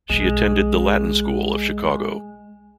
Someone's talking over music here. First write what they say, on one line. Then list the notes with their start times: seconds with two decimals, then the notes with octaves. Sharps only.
She attended the Latin School of Chicago.
0.10 B1 G#3